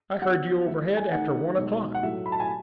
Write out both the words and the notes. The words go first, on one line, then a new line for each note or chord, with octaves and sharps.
"I heard you overhead after one o'clock."
F#3 B3 D#4 F#5
E3 A3 E4 E5
G#5
D#3 A3 D#4 F#5
B2 G#3 D#4
F#5
A2 F#3 A3 E5
B5
A5
G#5